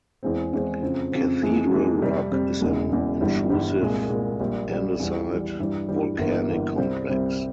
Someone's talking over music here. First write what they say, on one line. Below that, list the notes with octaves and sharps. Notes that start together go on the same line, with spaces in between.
Cathedral Rock is an intrusive andesite volcanic complex.
E2 E3 G#3 C4
E2 E3 G#3 C4
F2 C#3 F3 C4
F2 C#3 F3 C4
F2 E3 G#3
F2 E3 G#3
F2 C3 G3
F2 C3 G3
E1 E2 C#3
E1 E2 C#3
G1 G2 E3 G3
G1 G2 E3 G3
C2 A#2 G#3
C2 A#2 G#3
A#1 A#2 G3
A#1 A#2 G3
E2 E3 G3
E2 E3 G3
G2 E3 G3
G2 E3 G3
G1 G2 E3 A#3
G1 G2 E3 A#3
C2 C3 G3 C4
C2 C3 G3 C4